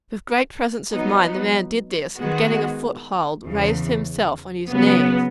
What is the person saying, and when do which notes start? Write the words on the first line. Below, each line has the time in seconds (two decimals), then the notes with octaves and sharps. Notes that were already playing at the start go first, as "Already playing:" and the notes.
With great presence of mind the man did this, and getting a foothold, raised himself on his knees.
0.94 F#3 B3 D#4
2.19 D#3 G#3 B3 F#4
3.45 E2 C#3 E3
4.70 C#3 F#3 B3